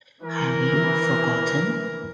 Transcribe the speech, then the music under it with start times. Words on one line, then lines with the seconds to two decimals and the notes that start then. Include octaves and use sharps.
Have You Forgotten?
0.23 E3 A#4